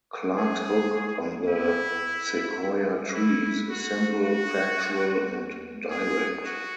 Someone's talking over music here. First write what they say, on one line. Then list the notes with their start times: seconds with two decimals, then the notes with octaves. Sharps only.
Clark's book on the sequoia trees is simple, factual, and direct.
0.37 G#4
1.48 E4
3.14 E4
3.70 F#4
4.24 F#4
5.90 G#4
6.45 F#4